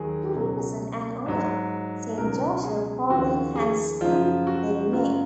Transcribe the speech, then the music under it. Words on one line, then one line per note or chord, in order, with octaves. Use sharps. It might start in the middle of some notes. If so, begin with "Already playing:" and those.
To represent and honor Saint Joseph, Poland has hymns they made.
Already playing: D#2 D#3 F#3 G#4
C#2 B2 F#3
G#2 F#3
C#2 B2 F#3 A#4
G#4
D#2 C#3 F3 F#4
G#4
F#2 C#3 F3 F4
F#4
F#2 C#3 F#3 F4